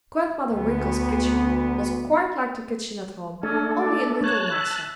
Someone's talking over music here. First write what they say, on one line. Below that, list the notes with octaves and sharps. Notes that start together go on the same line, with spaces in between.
Grandmother Winkle's kitchen was quite like the kitchen at home, only a little nicer.
D2 B3
A3 C#4 D4 A4
D5
C#5 A5 F#6
E5